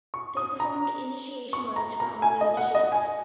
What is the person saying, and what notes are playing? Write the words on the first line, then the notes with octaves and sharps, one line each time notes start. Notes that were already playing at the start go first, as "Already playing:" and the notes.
They performed initiation rites for all new initiates.
C#6
D#6
A#5
C#6
A#5
A#5
G#5
D#5
F#5
D#5
G#5